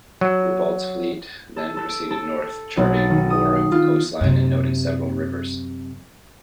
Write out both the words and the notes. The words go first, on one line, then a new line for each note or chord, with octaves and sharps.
Ribault's fleet then proceeded north, charting more of the coastline and noting several rivers.
F#3
A4
A4
D7
A4
B1
A6
D#3
D#6
C7
F4
F#2 C3